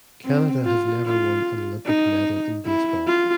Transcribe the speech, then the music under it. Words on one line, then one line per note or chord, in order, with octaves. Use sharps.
Canada has never won an Olympic medal in baseball.
C4
F4
F4
D#4
E4
F4